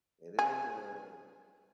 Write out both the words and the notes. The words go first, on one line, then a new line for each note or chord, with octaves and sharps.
and it ain't a
G#4